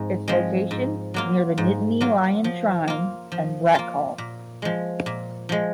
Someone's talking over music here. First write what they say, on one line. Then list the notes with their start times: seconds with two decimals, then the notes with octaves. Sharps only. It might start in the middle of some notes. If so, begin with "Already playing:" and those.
Its location near the Nittany Lion Shrine and Rec Hall.
Already playing: G#2 F3 G#3 C4
0.28 F3 G#3 C4
0.71 G#2
1.14 F#3 A#3 F4
1.58 G#2
2.01 F#3 A#3 F4
2.44 F3
2.88 A#3 F4
3.32 F3
3.75 A#3 F4
4.18 A#2
4.62 F3 G#3
5.06 A#2
5.49 F3 G#3